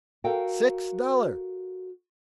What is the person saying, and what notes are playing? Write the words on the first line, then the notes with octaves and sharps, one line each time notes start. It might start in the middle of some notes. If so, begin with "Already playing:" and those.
"Six dollars."
F#4 A4 A#4 F5 G5